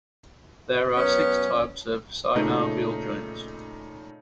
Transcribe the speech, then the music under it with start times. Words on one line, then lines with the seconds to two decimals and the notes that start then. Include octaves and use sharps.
There are six types of synovial joints.
0.95 F#2 B3 C#4
2.35 A#2 C#3 A3 D#4